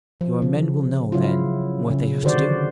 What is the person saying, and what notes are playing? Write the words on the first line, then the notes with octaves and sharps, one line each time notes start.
"Your men will know, then, what they have to do?"
F3
C#3
C#3 F#3 E4 F4
C#3
D3 D#3 F#4 C5 D5